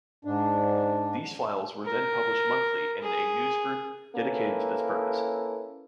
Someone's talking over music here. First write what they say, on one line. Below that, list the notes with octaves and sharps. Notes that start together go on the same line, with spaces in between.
These files were then published monthly in a newsgroup dedicated to this purpose.
G#2 D4
A#4
G#4
A#3 C#4 E4 A4 B4